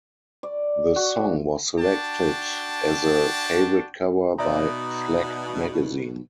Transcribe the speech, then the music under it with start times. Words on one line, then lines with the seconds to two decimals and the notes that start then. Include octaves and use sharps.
The song was selected as a favourite cover by Flak Magazine.
0.43 D5
0.96 F#4
1.80 D4 F#4 G5 A5
4.39 B2 D#4 D5 E5 A#5